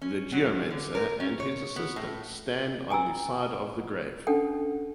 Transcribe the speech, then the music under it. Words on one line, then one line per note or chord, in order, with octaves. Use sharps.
The geomancer and his assistants stand on the side of the grave.
C#4
F#3
D3
A#4
C#4
C#5
B3
A2
G5 G#5 A#5 E6
C#4 D4 A4 F#5 G5